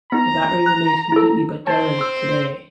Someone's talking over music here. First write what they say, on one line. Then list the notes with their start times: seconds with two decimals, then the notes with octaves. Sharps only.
The battery remains complete but derelict today.
0.12 B3 D#4 A#5
0.66 F#6
1.12 E4 A4
1.67 C4 C5 C#5 A5 A6
1.99 C6 E6